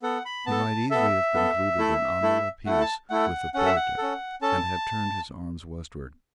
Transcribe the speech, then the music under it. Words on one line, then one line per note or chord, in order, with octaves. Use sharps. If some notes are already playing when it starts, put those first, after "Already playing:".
He might easily have concluded an honourable peace with the Porte, and have turned his arms westward.
B3 A4 F#5
B5
B3 A5
A4
B3 A4 E5
B3 A4
A3 E4 A4
A3 E4 A4
A3 E4 A4 F#5
A5
A3 E4 A4 F#5
C#4 A4 F#5
E5
F#5
C#4 A4
C#4 A4 A5